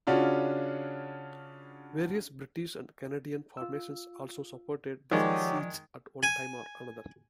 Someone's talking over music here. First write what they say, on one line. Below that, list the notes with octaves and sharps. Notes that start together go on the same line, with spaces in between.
Various British and Canadian formations also supported the siege at one time or another.
C#3 C#4 D4 F4 F#4
F4 E6
D#3 F3 F#3 G#3 F#4 G4 D5
G#5